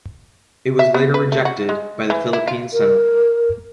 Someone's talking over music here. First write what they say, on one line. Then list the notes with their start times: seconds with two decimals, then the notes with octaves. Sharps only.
It was later rejected by the Philippine Senate.
0.79 E5
0.94 B3
1.14 B4
1.32 A3
1.45 F#4
1.69 G#3
2.10 E3
2.33 E4
2.48 F4
2.73 A#4